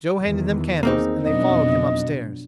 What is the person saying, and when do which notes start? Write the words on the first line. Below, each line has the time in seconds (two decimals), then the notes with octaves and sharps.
Joe handed them candles and they followed him upstairs.
0.21 E2 D#3 E3
0.83 A#3 C4 D#4 G#4
1.23 F2 B2 F#3 B3 D4 D#5